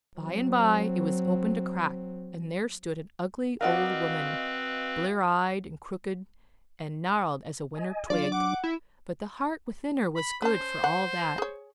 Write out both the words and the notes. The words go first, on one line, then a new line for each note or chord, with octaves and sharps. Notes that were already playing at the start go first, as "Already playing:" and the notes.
By-and-by it was opened a crack, and there stood an ugly old woman, blear-eyed and crooked and gnarled as a winter twig. But the heart within her was good for all that.
F#3 C4
C4 F#4 A#4 B4 D5 D#5 F5 F#5
D#5 G#5
F#3 D4 F4 D5
F#5 D6
E4
B5
C#4 C5 A5
F#5
G#4 C#5